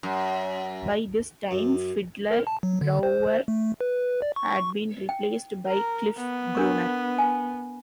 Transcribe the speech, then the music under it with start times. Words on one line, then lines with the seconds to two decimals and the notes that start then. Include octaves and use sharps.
By this time, fiddler Brower had been replaced by Cliff Bruner.
0.03 F#2
1.51 F#2
2.31 A#4
2.47 A5
2.63 F#3
2.81 D3
3.03 C5
3.48 A3
3.81 B4
4.22 D5
4.36 C#6
5.09 G5
5.67 A#4
6.17 B3
6.55 D4 A#4 C#6
7.18 G#5